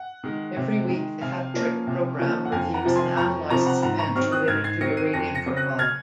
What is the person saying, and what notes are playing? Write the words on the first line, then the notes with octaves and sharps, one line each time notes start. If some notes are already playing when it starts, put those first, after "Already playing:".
Every week the Hattrick program reviews and analyzes events related to Iranian football.
Already playing: F#5
D#3 G#3
C3
D#3 G#3
C3 F5 G#5
F3 A#3 C#4
C3
F3 A#3 C#4
F#5
F2 F5 G#5
F#5 A#5
C3 F3 C4
G#5 C6
F2 A#5 C#6
C3 F3 C4 A#5 C#6
F#5 A#5
G#2 F#5 A#5
A#5 C#6
D#3 F#3 C4 C#6 F6
D#6 F#6
G#2 F6 G#6
G#6 C7
D#3 F#3 C4 A#6 C#7
C7 D#7
F2 A#6 C#7
A#6 C#7
C#3 F#3 C4
F#6 A#6
F6 G#6